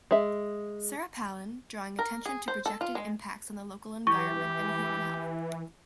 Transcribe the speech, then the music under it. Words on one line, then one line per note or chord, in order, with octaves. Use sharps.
Sarah Palin, drawing attention to projected impacts on the local environment and human health.
G#3 E5
A#4
G#4
C5
A4
F4
G#3
E3 G4 C#6